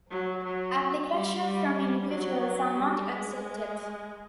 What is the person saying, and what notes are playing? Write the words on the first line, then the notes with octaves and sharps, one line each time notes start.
Applications from individuals are not accepted.
F#3
F#3
G3
G3
G3
F#3
G3
G#3